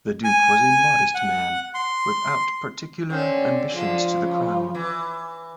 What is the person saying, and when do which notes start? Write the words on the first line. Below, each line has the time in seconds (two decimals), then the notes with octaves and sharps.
The duke was a modest man without particular ambitions to the crown.
0.24 G#5
1.14 F#5
1.74 C6
3.10 D3 C4 C#4
3.70 D3 F3 G#3
4.17 C#3
4.75 E3